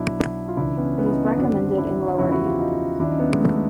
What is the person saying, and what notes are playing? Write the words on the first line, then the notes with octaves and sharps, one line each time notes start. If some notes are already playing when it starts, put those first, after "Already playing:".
It is recommended in lower age groups.
Already playing: B1 B2 F#3 D4 E4
F4
C#2 C#3 E3 D4 E4
B3 C#4
B3 C#4
E4
C#4 D#4
B3 C#4
G#1 F#2 D3 F#3 C4 D4
D4 E4
E2 C#3 F3 E4 F#4
E4 F#4
F4 G4
D#4 F4
D#2 D#3 F#3 D4 E4
C#4 D#4
B3 C#4
G#3
A3
G#3